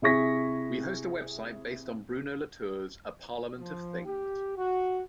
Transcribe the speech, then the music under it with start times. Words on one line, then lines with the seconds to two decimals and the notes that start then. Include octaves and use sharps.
He hosts a website based on Bruno Latour's 'A Parliament of Things'.
0.02 C3 E4 G#4 C#6 A#6 B6
3.58 F3
4.05 G4
4.57 F#4